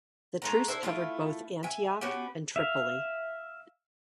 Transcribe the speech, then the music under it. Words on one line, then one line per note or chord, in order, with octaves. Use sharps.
The truce covered both Antioch and Tripoli.
G#3 A3 A#5
D4 E4 C5
A3 E4 F4
E5 G#5
B3 C#4 F#4 G4
E5 F5